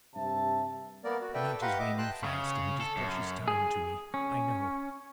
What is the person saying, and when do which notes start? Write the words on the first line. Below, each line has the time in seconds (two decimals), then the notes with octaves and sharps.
The night is waning fast, and it is precious time to me, I know.
0.15 G2 C3 E5 A5
1.04 A#3 B3 A#4 D5
1.21 F#4
1.34 A4 B4 D5 E5 G5
1.62 G4 B4 F5 F#5 A#5 C6
1.79 D#5 E5 D6
1.98 G5 A5 C6 F#6
2.24 C#3
2.81 A4
2.97 F#2
3.48 G#4
4.14 C#4